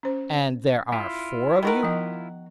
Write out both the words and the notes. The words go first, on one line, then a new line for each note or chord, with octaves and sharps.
"And there are four of you?"
C#4 C5
E4 F4
D#3 F#4 A#4 B5
F3 B3 D#5